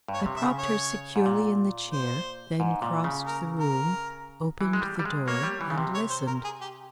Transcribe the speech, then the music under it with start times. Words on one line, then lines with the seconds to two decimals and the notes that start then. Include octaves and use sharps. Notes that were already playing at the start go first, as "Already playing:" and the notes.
I propped her securely in the chair, then crossed the room, opened the door and listened.
0.08 G2
0.14 C#5
0.26 C3
0.37 E5
0.42 C#3
0.59 C#5
1.16 G#2
1.26 A#2
1.93 C5
2.60 G#2
2.82 A#2
3.04 C#3
3.27 A#4
3.60 A#4
4.61 E3
4.73 G#3
4.82 G3
4.99 G3
5.05 G#3
5.27 A#3 C#5
5.43 G3
5.61 E3
5.70 C#3
5.78 C3
5.95 C#5
6.10 C5
6.27 A#4
6.44 G#4
6.61 G4